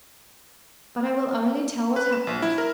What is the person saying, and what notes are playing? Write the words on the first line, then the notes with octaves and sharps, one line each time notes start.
But I will only tell what happened.
B4
E7
A#1
E4
A#4